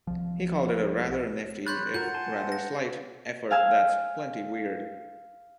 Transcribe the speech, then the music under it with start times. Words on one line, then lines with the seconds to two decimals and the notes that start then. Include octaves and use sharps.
He called it a "rather nifty, if rather slight, effort that's plenty weird".
0.07 C2 F3
1.66 C#5 B5 C6 F#6 G6 A6
1.94 F4 F#4 A#4 F#5 G6
2.14 G#5 A5 C6
2.52 A#6
3.51 F5 G#5 E6